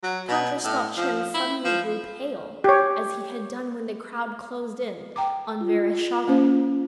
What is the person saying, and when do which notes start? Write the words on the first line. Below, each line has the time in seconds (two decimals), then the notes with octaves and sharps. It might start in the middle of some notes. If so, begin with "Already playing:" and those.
Count Rostopchin suddenly grew pale as he had done when the crowd closed in on Vereshchagin.
0.03 F#3
0.28 B2
0.64 A2
0.97 F3
1.34 E4
1.65 F3
2.64 G4 C#5
5.16 G5 A#5 D6
5.61 F4
6.28 A#3 C#4 C5